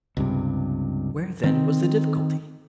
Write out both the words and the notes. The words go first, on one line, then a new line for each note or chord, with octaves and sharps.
Where then was the difficulty?
C#2 G2 C3
D#3 C4